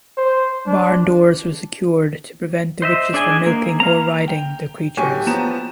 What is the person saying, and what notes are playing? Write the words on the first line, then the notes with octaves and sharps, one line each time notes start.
Barn doors were secured to prevent the witches from milking or riding the creatures.
C5
D4
C5 D#5 E5
D4 G#4 D5 D#5 G#5
A#3
F5 A#5
G5
D1 F#3 G4 G#5 C#6
F3 B3 A#5 E7